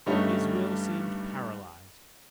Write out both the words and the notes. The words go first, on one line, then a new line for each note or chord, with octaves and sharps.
His will seemed paralysed.
G2 D3 G3 A3 C#4 D#4